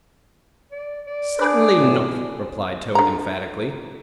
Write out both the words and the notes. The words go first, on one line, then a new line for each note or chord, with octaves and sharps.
'Certainly not!' replied Toad emphatically.
D5
D5
D4 G#4 D6
A2
D3 A#5